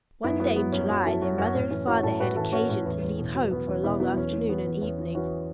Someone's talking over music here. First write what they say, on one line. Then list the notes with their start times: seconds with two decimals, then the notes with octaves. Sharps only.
One day in July their mother and father had occasion to leave home for a long afternoon and evening.
0.24 F#2 B3 E4
0.40 F#3 B3 E4
0.56 F#3 B3
0.73 F#2 C#4
0.89 F#2 C#4 F#4
1.06 F#3 E4 A4
1.22 F#3 C#4 F#4
1.38 F#2 C#4 F#4
1.55 A2 C#4
1.71 E3 C#4
1.87 E3 C#4 F#4
2.03 A2 E4 A4
2.20 A2 F#4 B4
2.36 E3 E4 A4
2.53 E3 C#4 F#4
2.69 A2 C#4
2.86 E2
3.02 E2
3.18 B2
3.35 F#3
3.51 E2 B3
3.67 E2 C#4
3.83 B2 B3 E4
4.00 F#3 B3 E4
4.16 E2 C#4
4.32 E3
4.49 E3 B3
4.65 E2
4.81 E2 C#4
4.98 E3
5.15 E3 C#4 F#4